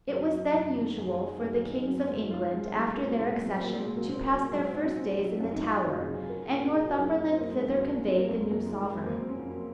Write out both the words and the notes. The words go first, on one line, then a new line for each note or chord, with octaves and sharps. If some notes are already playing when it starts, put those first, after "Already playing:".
It was then usual for the kings of England, after their accession, to pass their first days in the Tower, and Northumberland thither conveyed the new sovereign.
F#2 F#4
F#3
F#2
D#3
F#2 G#4
F#3
F#2 A#4
A#4
D#3
D#4
F#3 C#4
C4
G#2 C4
D#4
G#2 F4
F#3 G#3
F#3 G#3
G#3
A#2 A#3
C4
A#2 G#3
A#3
F#3 G#3
C4
F#3 A#3
G#3
A#2 G#3
A#3
A#2 C4
F#3
F#3 G#3
C4
A#2 D#4
C#4
A#2 C4
F#3
F#2 C#4
D#4
F3 F4
F#4
F#2 F4
G#4
C#3
G#4
F#3 A#4
A#2
A#2 G#4
F#4
F#3 D#4
C#4
F#2 D#4
C4
F#3 A#3
G#3
F#2 A#3
C4
D#3 C#4
C#4
F3 C4
A#3
F#2 A#3
G#3
F#2 A#3
G#3
F3
G#3
F2 G#3
C4
A#3
F#3 C4
C#4
F2